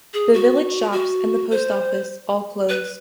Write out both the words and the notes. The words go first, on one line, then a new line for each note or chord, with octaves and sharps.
The village shops and the post office all closed.
G#4
F#4
F#4
C5
B4